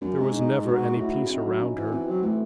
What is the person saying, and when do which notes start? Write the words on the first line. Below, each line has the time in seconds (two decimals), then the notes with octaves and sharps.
There was never any peace around her.
0.01 F#2 C#4
0.18 G#2
0.34 D#4
0.65 F#4
0.96 A2 E4
1.13 A2
1.22 C#3
1.29 C3 D#4
1.44 F#3
1.60 C#4
1.76 E3
1.86 D#3
1.91 E3 C4
2.08 F#3
2.23 E3 A3